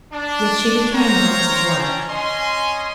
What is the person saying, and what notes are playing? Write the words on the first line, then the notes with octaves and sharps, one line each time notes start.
Yet she became Hans' wife.
D4
C5 C#5 F5 G5 A#5
C#4 D4
C#4 D#5 G#5 C6